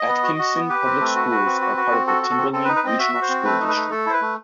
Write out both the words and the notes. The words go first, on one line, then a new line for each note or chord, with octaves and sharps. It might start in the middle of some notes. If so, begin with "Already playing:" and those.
Atkinson Public Schools are part of the Timberlane Regional School District.
Already playing: D#5
B3
F#4
F#4
B3
G4 B4
C4
A3
F#4
F#4
C4
F#4
F#4
C4
F#4 A4
F#4
A4
C4
C4 A4
B4
D#4
B4
C4 D#5
F#4 E5
F#4
C5
C4
A3 B4
D#4
B4
A3
A3 A4
E4 C5
B4
A3